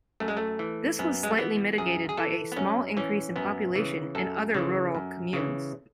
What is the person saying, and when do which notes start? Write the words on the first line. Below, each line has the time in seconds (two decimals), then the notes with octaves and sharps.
This was slightly mitigated by a small increase in population in other rural communes.
0.20 F#2 A3
0.28 G#3
0.37 A3
0.59 E3
0.99 F#2 B3
1.23 G#3
1.31 A3
1.38 E3 B3
1.78 F#2 G#4
2.09 G#4
2.17 E3 A4
2.52 B3
2.57 F#2 C#4
2.97 E3 C#4
3.36 F#2 B3
3.76 C#3 E3
4.15 F#2 A4
4.54 C#3 E3
4.95 F#2
5.33 C#3 E3